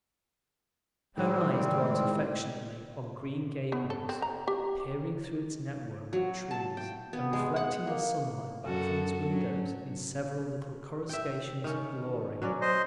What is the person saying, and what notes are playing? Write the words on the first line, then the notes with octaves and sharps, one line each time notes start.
Her eyes dwelt affectionately on Green Gables, peering through its network of trees and reflecting the sunlight back from its windows in several little coruscations of glory.
A2 D#3 G3 G#3 C4
B3
A4
C4
A#5
G4
F#3
A5
G5
B3
G#3
F#5
A#3
F#2 F#4 A4
F#3 C#4
E5 G5
D#3 C#4
F#3 C#4 D5
C5 D#5